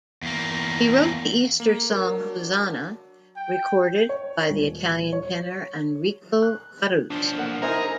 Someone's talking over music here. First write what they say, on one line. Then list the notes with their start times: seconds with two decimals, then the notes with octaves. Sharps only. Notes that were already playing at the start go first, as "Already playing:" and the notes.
He wrote the Easter song "Hosanna" recorded by the Italian tenor Enrico Caruso.
0.23 E2 A#3
1.60 A#3
1.90 F#3 D4 A#4
3.36 G5
4.09 C#5
4.50 D#1
5.13 C#5
6.42 F#6
7.10 B1 F3 D4
7.37 A#3 F#5
7.62 D#4 E4 G#4 A#4 C5